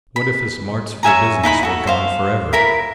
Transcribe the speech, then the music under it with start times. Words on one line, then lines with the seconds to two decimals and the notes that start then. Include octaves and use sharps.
What if his marts for business were gone for ever?
0.16 B5
1.03 C#5 E5 G#5 A#5
1.43 D#4 E4 F#5 B5
1.63 F#4 A4
1.87 C5 F5
2.53 E4 A#4 B5